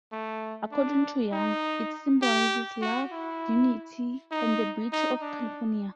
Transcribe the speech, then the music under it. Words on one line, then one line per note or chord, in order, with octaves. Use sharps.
According to Young, it symbolizes love, unity, and the beauty of California.
A3
D4
D#4
G4
F#4
E4
D#4
D#4
D4